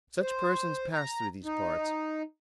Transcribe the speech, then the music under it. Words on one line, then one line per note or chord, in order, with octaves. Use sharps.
Such persons pass through these parts.
C5
A#5
D#4